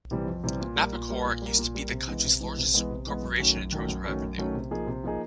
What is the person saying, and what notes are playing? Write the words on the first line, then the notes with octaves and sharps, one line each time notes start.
Napocor used to be the country's largest corporation in terms of revenue.
C3 E3 G3
F2
C3 E3 G3
A#2
G3 A#3
A#2
G3 A#3
A#2
G3 A#3
A#2
G3 A#3
C3
E3 G#3 B3
C3
E3 G#3 B3
C3
E3 G#3 B3
C3
E3 G#3 B3
F#2
D#3 F#3 A3 C#4
F#2
D#3 F#3 A3 C#4
F#2
D#3 F#3 A3 C#4
F#2
D#3 F#3 A3 C#4
C3
F3 A#3 D#4 G#4
C3
F3 A#3 D#4 G#4